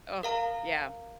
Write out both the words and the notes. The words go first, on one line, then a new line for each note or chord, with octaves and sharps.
Oh, yeah.
A#4 F5 A#5